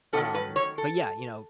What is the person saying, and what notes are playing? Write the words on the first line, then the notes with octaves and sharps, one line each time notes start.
Um, but yeah, you know,
D#3 F#3 A3 C#4 A4
B4
C#5
A4